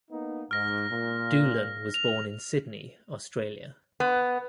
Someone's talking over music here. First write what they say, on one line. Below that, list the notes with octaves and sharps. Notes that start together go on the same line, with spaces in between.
Doolan was born in Sydney, Australia.
A#3 B3 D#4
G#2 F6 A#6
A#2
F7
B3